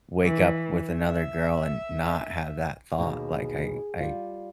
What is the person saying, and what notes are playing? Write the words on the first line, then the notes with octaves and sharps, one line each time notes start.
wake up with another girl and not have that thought- like, I I
E3
E5
D#2 B2 G#4
G3 F4